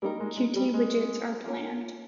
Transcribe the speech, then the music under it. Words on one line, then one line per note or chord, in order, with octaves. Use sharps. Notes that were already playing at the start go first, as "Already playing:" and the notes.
Qt widgets are planned.
G3 A#3 D#4 A#4
G#3
G#3
G3
G#3
A#3 F4 A#4 C#5